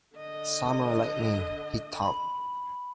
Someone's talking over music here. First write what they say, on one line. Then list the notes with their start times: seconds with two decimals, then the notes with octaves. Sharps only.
"Summer lightning," he thought.
0.16 D3 D#5
2.02 B5